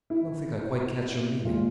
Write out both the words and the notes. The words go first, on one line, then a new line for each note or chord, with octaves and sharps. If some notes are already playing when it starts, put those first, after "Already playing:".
I don't think I quite catch your meaning.
E4
A#2 G#3 F4